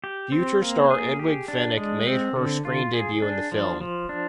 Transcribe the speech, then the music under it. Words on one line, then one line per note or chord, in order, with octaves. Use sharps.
Future star Edwige Fenech made her screen debut in the film.
G4
C4
A#3
G#4
G4
D4
G#3
C4
D3
F4
G#4
D4
F3
F3
D4